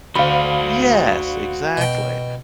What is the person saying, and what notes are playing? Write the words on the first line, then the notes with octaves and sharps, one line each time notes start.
Yes, exactly.
D2 F#4 C5 F5 B5
B2 G5